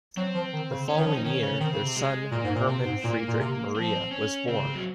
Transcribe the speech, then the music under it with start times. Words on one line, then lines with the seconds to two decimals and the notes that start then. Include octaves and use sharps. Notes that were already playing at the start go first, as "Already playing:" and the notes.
The following year, their son Hermann Friedrich Maria was born.
0.17 F#3 C4
0.34 F3
0.53 D#3
0.70 C#3
0.89 C#4
0.96 D#3
1.06 F3
1.16 D#4
1.25 D#3 C#4
1.42 C#3
1.60 D#3 C4
1.73 C#3
1.84 C3
1.96 G#3
2.32 A#2 A#3
2.44 G#2
2.56 A#2
2.68 C3 C4
2.86 G#2
3.04 A#2 A#3
3.28 A#2
3.40 C3
3.75 F3 C4
4.11 C#4
4.47 C#3 C4
4.75 F#3